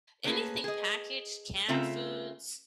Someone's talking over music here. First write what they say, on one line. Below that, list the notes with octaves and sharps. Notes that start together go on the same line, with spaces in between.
anything packaged canned foods,
A3 A#3 C#4 G#4 B4
G#4 D#5
C#3 A3 C4 F4 E5 A#5